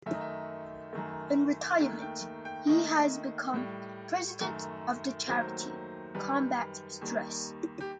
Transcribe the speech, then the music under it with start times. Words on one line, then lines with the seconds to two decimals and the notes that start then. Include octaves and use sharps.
In retirement he has become President of the charity "Combat Stress".
0.06 F#2 D#3 A3 E5
0.14 D#5
0.21 E5
0.93 F#2 D#3 A3
1.80 D#2 D#3 A3 G5
2.02 G5
2.45 G5
2.67 D#2 D#3 A3 D#5
3.54 A2 G3
4.40 F#2 D#3 A3
5.28 D#2 D#3 F#3 A3 C5
6.15 F#2 D#3 G3 B4
7.01 D#2 D#3 G3
7.81 G4